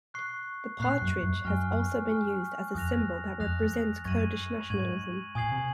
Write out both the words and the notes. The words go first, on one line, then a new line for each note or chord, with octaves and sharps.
The partridge has also been used as a symbol that represents Kurdish nationalism.
C#6 F#6 C7
A#2 C#6 F#6 C7
F#2
F#2
F#2 G#5 C#6 F6
G#5 C#6 F6
F2 D#6 F#6 A#6 F7
F2 D#6 F#6 A#6 F7
F#2 C#6 G#6 D#7 F#7
G#2 C#6 G#6 D#7 F#7
A#2 G#5 D#6 G#6 C7 F#7
C3